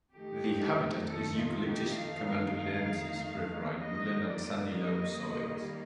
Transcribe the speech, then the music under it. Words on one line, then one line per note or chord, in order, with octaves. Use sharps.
The habitat is "Eucalyptus camaldulensis" riverine woodland on sandy loam soils.
F2 D#3 A3 D#4 G4
A4
F4
G4
F5
D#3 G3 A#3 D#5
D5
D#5